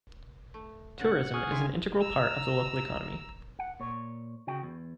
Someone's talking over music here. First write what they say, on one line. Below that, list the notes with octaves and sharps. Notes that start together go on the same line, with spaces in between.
Tourism is an integral part of the local economy.
A3
A#2 C#3 F#5
G#4 G#5 C#6 D#6 F6
G3 E4 F4
A#5 E6
F#5
A#2 C#5
C#3 F#4 G5
E2